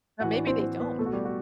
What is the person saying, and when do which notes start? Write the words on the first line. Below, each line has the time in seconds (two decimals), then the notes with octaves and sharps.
Or maybe they don't.
0.20 A2 E3 F#4 F#5
0.33 D4 D5
0.47 C4 C5
0.59 C4 C5
0.80 B3 B4
0.99 B2 A3 A4
1.06 F#4
1.13 G3 G4
1.25 F#4